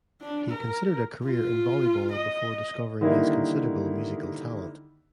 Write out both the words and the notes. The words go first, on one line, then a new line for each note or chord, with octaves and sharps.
He considered a career in volleyball before discovering his considerable musical talent.
D4
A#4
F4
D#5
D3 D#3 G3 A#3 D#4 E4